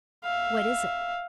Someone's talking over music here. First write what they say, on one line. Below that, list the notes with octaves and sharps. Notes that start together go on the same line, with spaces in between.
"What is it?"
E5 F5